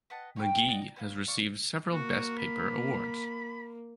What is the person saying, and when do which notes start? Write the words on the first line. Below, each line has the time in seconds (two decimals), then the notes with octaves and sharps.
Magee has received several best paper awards.
0.10 B4 D#5 F#5 A5
0.36 C#5 F5 G5 B5
0.68 D5 D#5 F#5 D6
0.82 A#4
0.96 A#3 C4 C#4 B4
1.27 D5 F5 C#6 D6
1.93 A#3 F#4
2.38 B5